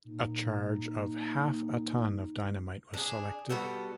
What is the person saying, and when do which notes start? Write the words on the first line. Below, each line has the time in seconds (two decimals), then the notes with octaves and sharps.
A charge of half a ton of dynamite was selected.
0.05 A#2 D#4
2.94 D4 G#4
3.49 G3 B3 F#4 A4